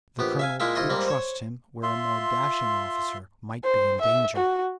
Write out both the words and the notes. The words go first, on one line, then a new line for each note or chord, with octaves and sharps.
The colonel could trust him where a more dashing officer might be in danger.
A#1 B3 G4
E5 F5 G#5
A#2 G#3 E4 E5 F5 G5
C2 E4 F4 D#5 C6
G#2 G3 A#3 C4
C5 C#5
F4 E5 C6
C5
E5
F#4